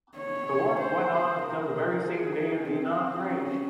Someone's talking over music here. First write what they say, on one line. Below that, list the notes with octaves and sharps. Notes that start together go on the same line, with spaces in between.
The work went on until the very same day of the inauguration.
C#5
C5
A#4
G#4
C4
C#4